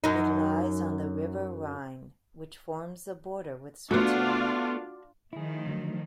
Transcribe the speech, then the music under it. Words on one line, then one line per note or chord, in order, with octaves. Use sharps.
It lies on the River Rhine, which forms the border with Switzerland.
F#2 D#4
A3 B3 D4 F4 F#4
D#3 F3 A3 E4 G#4
D3 F#3